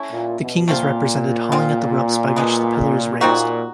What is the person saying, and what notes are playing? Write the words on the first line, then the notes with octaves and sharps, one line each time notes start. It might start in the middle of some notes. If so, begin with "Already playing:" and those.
The king is represented hauling at the ropes by which the pillar is raised.
Already playing: A3 C#4 E4
A#2
B2
A#2 A3 C4 F4
G#3 C4 F4
B2 G#3 B3
A#2 G3 C4 D#4 F#4